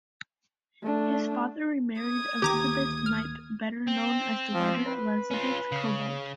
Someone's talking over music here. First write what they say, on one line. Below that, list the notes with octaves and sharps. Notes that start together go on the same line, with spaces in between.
His father remarried Elizabeth Knipe better known as the writer Elizabeth Cobbold.
A3 D4
D#6 G#6
D1 D#3 A#3 G4 A#5 D6
F6
C4
F3
B4
C#4 F4
C#3